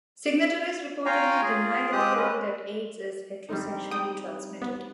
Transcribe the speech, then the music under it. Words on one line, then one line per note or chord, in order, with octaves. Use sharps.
Signatories reportedly deny the theory "that Aids is heterosexually transmitted".
F4 C#5 F5 G5 G#5 A#5
F4 G#4
G#3 C4 G4 D#6 F#6
G#3 C#4 B4
G3 C4 D#4
G5 D#6
B3